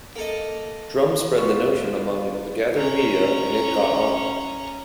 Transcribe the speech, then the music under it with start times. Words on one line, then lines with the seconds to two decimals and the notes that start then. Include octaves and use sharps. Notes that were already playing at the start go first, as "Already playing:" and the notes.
Drum spread the notion among the gathered media and it caught on.
0.16 A#3 A4 D#5
1.38 B3 F4 C#6
2.77 C#4 A#5